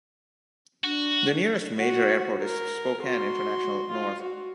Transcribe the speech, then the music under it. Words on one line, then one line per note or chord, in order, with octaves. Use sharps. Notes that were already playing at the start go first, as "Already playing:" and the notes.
The nearest major airport is Spokane International, north.
D4 F#4
F#4 F#5
A#4
F#4 C6
F4
F#4